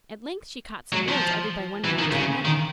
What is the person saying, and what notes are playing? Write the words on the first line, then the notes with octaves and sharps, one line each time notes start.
At length she caught some words uttered by one man to another.
F#3
F3
E3
D#3
C3
C#3
D#3